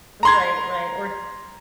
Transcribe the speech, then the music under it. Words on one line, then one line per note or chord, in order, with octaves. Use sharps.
Right, right. Or, th
A#5 C6 G#6